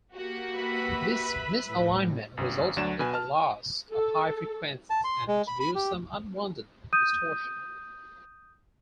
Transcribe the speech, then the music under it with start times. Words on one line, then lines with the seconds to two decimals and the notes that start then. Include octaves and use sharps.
This misalignment resulted in a loss of high frequencies and introduced some unwanted distortion.
0.16 A#3 F#4 G4
0.54 B4 E5 B5
1.69 A2
2.37 G1 F#2
2.77 D2 F#3 D4 E7
2.99 B2 B4 G#5
3.14 A5 F6
3.93 A4
4.90 A5
5.04 C6
5.28 G#3
5.47 B5
5.60 B5
5.75 G4
6.93 D#6 G6 D#7